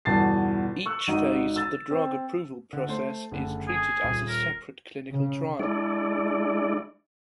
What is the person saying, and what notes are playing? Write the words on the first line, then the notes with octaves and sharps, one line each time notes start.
Each phase of the drug approval process is treated as a separate clinical trial.
G1 E2 B2 A5 A6 C7
C#6 E6 F#6
G#1 D#4 F#4 D#7
E6 A6
C4
D3
A3 C5 C6
F#1 D3 A3
G#4
D#1
A#4
C#3
G#3 D4 E4 D5